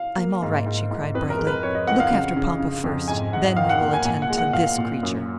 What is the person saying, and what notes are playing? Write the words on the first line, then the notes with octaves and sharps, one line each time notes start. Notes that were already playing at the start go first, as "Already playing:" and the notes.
"I am all right," she cried, brightly; "look after papa, first; then we will attend to this creature."
Already playing: F5
A#3
G#2
G#2
G#2
F2 B4
A#4
G#3
B4
F2 C#5
D#5
F2 F#5
F5
C#3
C#3
C#3
F2
G#2 G#5
G#2 F#5
D#3 F5
F#5
A#3
G#5
A#2 G#5
F#5
G#3
F#5
A#2 F5
A#2
F#2